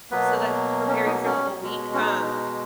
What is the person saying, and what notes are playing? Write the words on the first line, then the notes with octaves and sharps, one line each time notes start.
So, that could prepare you for the whole week, um
B2 F#3 A#3 B3 B4
C#4
D#4
C#4
B2 G#3
C#4
D#4